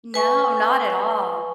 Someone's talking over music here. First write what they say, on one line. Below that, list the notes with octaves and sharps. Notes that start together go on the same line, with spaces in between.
No, not at all.
B4 G#5 C#6